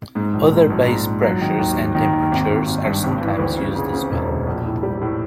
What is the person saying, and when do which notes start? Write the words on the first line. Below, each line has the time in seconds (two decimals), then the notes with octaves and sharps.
Other base pressures and temperatures are sometimes used as well.
0.15 G#2
0.33 A#1
0.52 G#2
0.70 A#1
0.88 G#2
1.06 G#2
1.23 F#3
1.41 D#3
1.59 D#2
1.77 D#3
1.95 D#3
2.13 D#2
2.32 G#1
2.49 G#1
2.67 G#1
2.85 G2
3.03 G#1
3.21 E3
3.39 D2
3.58 C#3
3.75 C#3
3.93 C#3
4.12 E1
4.29 D2
4.47 A#1
4.65 A2
4.83 G3
5.02 A2